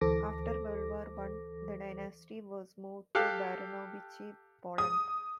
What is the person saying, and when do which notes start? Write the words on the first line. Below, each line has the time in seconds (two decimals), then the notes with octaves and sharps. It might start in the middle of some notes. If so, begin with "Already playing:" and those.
After World War One, the dynasty was moved to Baranovichi, Poland.
0.01 D2 E3 A4 C5 D6 A#6
3.15 G4 A4 F5 F#6
4.78 D#6